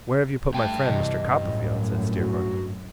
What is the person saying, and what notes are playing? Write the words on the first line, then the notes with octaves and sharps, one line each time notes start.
'Where have you put my friend, Mr. Copperfield?' said Steerforth.
G2 A3 G5 A5
C3 E3 D#5
F#2 A2
F#4